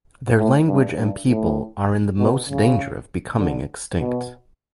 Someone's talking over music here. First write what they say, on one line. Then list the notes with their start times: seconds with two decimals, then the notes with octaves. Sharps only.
Their language and people are in the most danger of becoming extinct.
0.38 A2
0.68 G2
0.98 G2
1.28 A2
2.19 B2
2.49 C#3
3.39 D3
4.00 B2